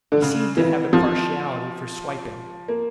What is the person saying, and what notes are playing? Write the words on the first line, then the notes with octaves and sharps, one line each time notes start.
He seemed to have a partiality for swiping.
D3
C#3
E3
F3
A#3